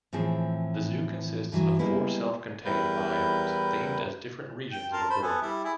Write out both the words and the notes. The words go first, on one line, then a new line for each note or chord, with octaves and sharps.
The zoo consists of four self-contained biomes themed as different regions of the world.
A2 E3 F3 C4 G#4
G2 E3 F#3
G3 G#3 A#3 B3 E4 B4
E2 G3 E4 A#4 B4 G6
G5
A#4 A5 C6
C5 B5
B3 A4 G#5
G3 E4
E4 G#4